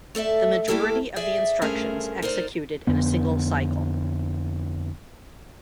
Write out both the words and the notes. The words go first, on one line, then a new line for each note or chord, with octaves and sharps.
The majority of the instructions executed in a single cycle.
A3 A4 D5 E5
A3 A#3 E4 G4 A4 A#4
G#4 D5 E5
G2 A3 C#4 G#4 A#4 C5
D#4 A#4 C5 D5
F2 D3 B3